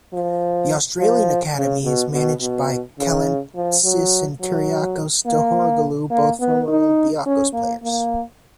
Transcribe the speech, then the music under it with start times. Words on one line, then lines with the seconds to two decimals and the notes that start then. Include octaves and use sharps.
The Australian academy is managed by Kalantzis and Kyriakos Tohouroglou, both former Olympiacos players.
0.13 F3
0.99 F3
1.56 C#3
1.84 B2
2.12 B2
2.41 B2
2.99 C#3
3.55 F3
3.84 F#3
4.41 F#3
5.26 A#3
6.11 A#3
6.40 B3
6.68 D#4
7.26 C#4
7.53 A#3
7.83 A#3